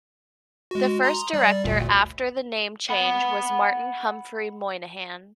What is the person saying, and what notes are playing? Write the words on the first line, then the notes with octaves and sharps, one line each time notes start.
The first director after the name change was Martin Humphrey Moynihan.
G#3 F#4
A#5 C6 D#6
G3 D5
G1 D2 A#2
F#5 B5